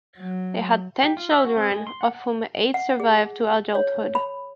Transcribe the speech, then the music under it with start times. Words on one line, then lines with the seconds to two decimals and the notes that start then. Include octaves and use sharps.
They had ten children, of whom eight survived to adulthood.
0.19 F#3
1.04 G4
1.17 F4
1.31 E5
1.45 F#4
1.57 C4
1.71 G#3
1.87 C6
2.01 F#5
2.15 F#5
2.74 F#5
3.00 G#4
3.75 C#5
4.15 B5